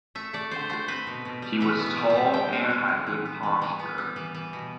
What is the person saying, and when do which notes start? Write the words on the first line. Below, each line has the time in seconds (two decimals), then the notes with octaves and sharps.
He was tall and had good posture.
0.15 A3 E5
0.33 A3 D5
0.51 D3 C5
0.69 A3 C5
0.88 C4 B4
1.07 B2
1.25 B2
1.42 G3
1.61 E3 E5
1.80 B3
1.86 E5
1.98 G3
2.10 E5
2.16 G3
2.34 D3 G5
2.53 C4
2.70 D3
2.88 D3
3.07 E3
3.25 B3
3.43 E3
3.62 E3
3.79 B3
3.98 G3
4.16 E3
4.34 E3
4.53 B2